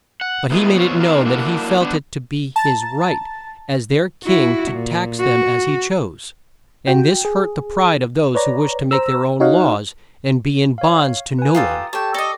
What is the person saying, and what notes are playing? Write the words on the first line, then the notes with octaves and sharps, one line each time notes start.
But he made it known that he felt it to be his right as their king to tax them as he chose, and this hurt the pride of those who wished to make their own laws, and be in bonds to no one.
F#5
A#3 B3 E4 F4 G#4 D#5
B2 B3 C4 F4 C#5
B3 C4 D4 D#4 A#4 F5
A#3 D4 E4 F#4
B3 D4
A5 A#5 A6
E4 F#4
A#2
F#4
F#4 G5
G#4
B4 C#5 D5 A#5
C5 A#5 E6
D#4 F#4 C#5 D#5 F5 F#5
C#5 F5
B4 G#5
F4 G4 A4 A#5 D#6 A6
G4 A4 C#5 G5 A5 C#6
A4 D5 D#5 A#6